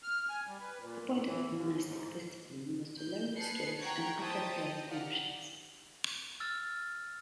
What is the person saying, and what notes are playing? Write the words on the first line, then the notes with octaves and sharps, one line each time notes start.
The point of monastic discipline was to learn skills and appropriate emotions.
F6
G#5
G3
B4
A#2
G#2
E3
D#2
G#2
G6
G#4 B4 A5 F#6 C7 C#7
F#5 G5 A#5 C#6 F#6 G#6
C5 E5 G5 A5 D#6 A6
D#5
G4 A#4 D5 F5 F#5
E6 F6 A6